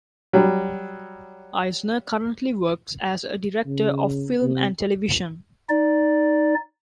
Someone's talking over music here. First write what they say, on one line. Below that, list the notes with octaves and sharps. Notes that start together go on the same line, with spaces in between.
Eisner currently works as a director of film and television.
F#3 G3
C#3
C3
D#4 D5